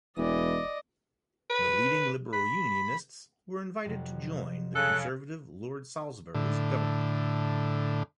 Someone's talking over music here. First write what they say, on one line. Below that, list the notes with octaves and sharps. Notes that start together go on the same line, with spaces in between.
The leading Liberal Unionists were invited to join the Conservative Lord Salisbury's government.
E1 E3 D5 D#5
B4
B5
F2 C3 F#3
C#3 A4 F#6
A2 D3